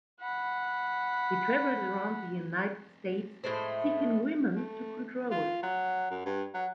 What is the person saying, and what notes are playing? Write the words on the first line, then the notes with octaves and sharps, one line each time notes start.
He traveled around the United States seeking women to control.
F#5 B5
A2 G#3 A3 C5
A3
F4
F#3
F#2
G2
F#3